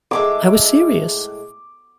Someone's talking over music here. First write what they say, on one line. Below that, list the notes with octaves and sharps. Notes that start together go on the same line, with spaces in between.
I was serious.
A2 G#3 E5 D6